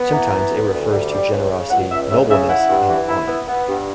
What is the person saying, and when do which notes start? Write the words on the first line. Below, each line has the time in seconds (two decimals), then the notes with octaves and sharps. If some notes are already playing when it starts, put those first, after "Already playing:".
Sometimes it refers to generosity, nobleness and honor.
Already playing: B3
0.13 E3 A#5
0.33 B3
0.52 D2
0.72 D2
0.92 G3
1.12 G3
1.31 C#2
1.51 C#3
1.70 C#2 F#5
1.90 C#2 E5
2.10 C#2 E5
2.29 C#3 E5
2.49 E4 F#5
2.69 G2
2.89 E3
3.08 E4
3.28 B3
3.48 B3
3.68 G2